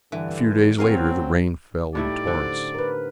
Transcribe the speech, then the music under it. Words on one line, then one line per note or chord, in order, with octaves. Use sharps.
A few days later, the rain fell in torrents.
G2 D3 E3
D2 F#3 C4 A#4 F5 G#5
A2 A3 D#4 E4 G4 D5
D3 C5
A#4 B4